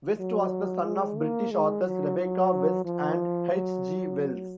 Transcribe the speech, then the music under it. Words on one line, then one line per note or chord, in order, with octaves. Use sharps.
West was the son of British authors Rebecca West and H. G. Wells.
F#3
G#3
A#3
G#3
F#3
F#3
F3
F#3